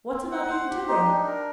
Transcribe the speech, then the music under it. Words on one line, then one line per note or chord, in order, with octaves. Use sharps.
What have I been doing?
C4
F#5
C5
G4
D#4
D4
A#4